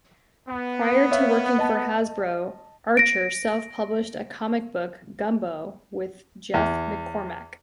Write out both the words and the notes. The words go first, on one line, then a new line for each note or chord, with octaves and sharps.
Prior to working for Hasbro, Archer self-published a comic book, "Gumbo", with Jeff McCormack.
B3
C#5 E5 F5
D#5 A5
A#6 D7
E2